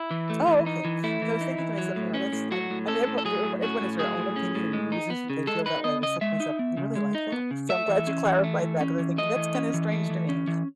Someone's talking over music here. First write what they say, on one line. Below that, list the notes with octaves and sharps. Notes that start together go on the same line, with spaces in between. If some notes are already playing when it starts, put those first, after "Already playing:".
Oh, okay. 'Cause I was thinking to myself, you know, that's I I mean, everyone d everyone has their own opinion and reasons that they feel that way. I said to myself, "You really like that?" So I'm glad you clarified that 'cause I was thinking, "That's kinda strange to me."
Already playing: E4
E3
A3
E3
D#4
E3
A3 E4
E3
D#4
E3
F#3
A2
C#4
A2
F#3 F#4
A2
C#4 A4
A2
A4
F#3 G#4
A2
C#4 F#4
A2
F#3 G#4
A2
C#4
A2
G#3
D#4
B3
C#3
G#3 A4
D#4 B4
B3 D#5
C#3 D#5
G#3 E5
D#4
B3
C#3
G#3
D#4
B3
C#3
A3 E5
E3
C#4
E3
A3
E3
C#4
E3
A3 D#5
E3
C#4
E3
A3
E3
C#4
E3